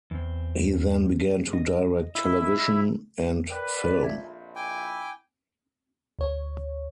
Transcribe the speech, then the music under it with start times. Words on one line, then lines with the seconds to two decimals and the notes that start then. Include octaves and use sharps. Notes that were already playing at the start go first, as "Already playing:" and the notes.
He then began to direct television and film.
0.11 E2 C4
1.53 D#5
2.15 E4 D#5
3.49 A#4 B4 D5 G5 F#6
4.03 A#1 F2 E5 G#6
4.56 E4 G5 G#5 D6
6.19 D2 C#5